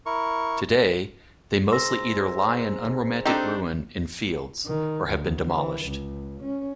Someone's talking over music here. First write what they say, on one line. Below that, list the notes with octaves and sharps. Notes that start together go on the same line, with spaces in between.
Today, they mostly either lie in unromantic ruin in fields, or have been demolished.
E4 A#4 C#6
G#2 C6 E6 A#6
C4 D4 D#4 G4 A4
D#3
D2
E3
C#2
C#4